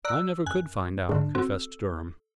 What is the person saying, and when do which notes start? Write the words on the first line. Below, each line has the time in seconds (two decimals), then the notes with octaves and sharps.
"I never could find out," confessed Durham.
0.05 D5 A#5 E6 F#6
0.46 F#2 G#5 F#6
1.09 G#2 D3 D4
1.35 C4 F#4 A4